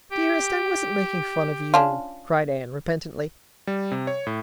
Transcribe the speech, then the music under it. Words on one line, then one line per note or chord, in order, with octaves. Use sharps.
"Dearest, I wasn't making fun of you," cried Anne repentantly.
G4
C#4 D4 F4
G3
C3
C#5
A2